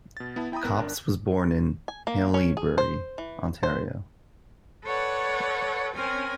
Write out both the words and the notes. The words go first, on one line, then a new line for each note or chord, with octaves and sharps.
Copps was born in Haileybury, Ontario.
B2 A6
B3 E4 A5
E4 G5 A#5 B5 D#6
G#1 B3 A#4 F#6
G1 D4 A#4
G#5
A#3
C#4
G#4
C5
E3
C5
A4 B4 C#5 D5 F#5
C4 C#4 A#4 G#5